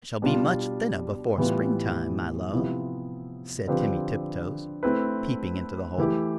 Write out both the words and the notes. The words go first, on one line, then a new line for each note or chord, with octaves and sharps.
"I shall be much thinner before springtime, my love," said Timmy Tiptoes, peeping into the hole.
B2 G3 D4 F4
A2 E3 G3 B3 F4
C3 F3 B3 E4
D3 F3 C4 G4 B4
A3 C4 E4 B4
E3 A3 E4 G4